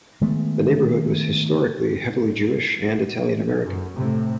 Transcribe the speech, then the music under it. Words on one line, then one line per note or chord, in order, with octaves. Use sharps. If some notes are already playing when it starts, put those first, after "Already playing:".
The neighborhood was historically heavily Jewish and Italian-American.
D#3 G#3 A3 B3
F#2
A2 C3